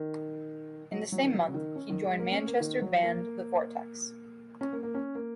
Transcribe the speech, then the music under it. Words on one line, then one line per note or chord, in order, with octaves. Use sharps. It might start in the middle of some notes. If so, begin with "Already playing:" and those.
In the same month, he joined Manchester band The Vortex.
Already playing: D#3
F#3
F#3
D#3
F#3
C#3
D#3
C#4
D#3
G#3
A#3
C#4
A#3
D#3
F#3
A#3
C#4
A#3
A#3
C#4
A#3